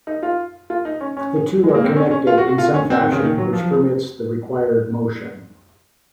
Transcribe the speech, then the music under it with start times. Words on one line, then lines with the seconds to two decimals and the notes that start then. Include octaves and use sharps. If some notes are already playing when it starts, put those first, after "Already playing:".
The two are connected in some fashion which permits the required motion.
0.07 D#4
0.23 F4
0.70 F4
0.85 D#4
1.01 C#4
1.17 C#4
1.63 G#3
1.74 A#3
1.84 C4
1.96 C#4
2.11 C#4
2.27 F4
2.38 F#4
2.48 F#4
2.58 F4
2.74 C#4
2.90 C4
3.01 D#3
3.12 C#3
3.22 D#3
3.38 F#3
3.53 F3